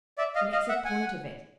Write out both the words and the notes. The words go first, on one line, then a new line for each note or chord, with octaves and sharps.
He makes a point of it.
D5 E5
D#5 F5
D#5 F5
E5 F#5
F#5 G#5